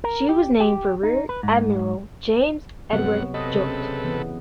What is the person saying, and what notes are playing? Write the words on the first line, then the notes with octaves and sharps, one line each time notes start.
She was named for Rear admiral James Edward Jouett.
A#4
G4
G4
D#4
B4
G#2
G2 C3 F#3 B3 F#5
C3 A4 B4 D#5
C#3
E3 B3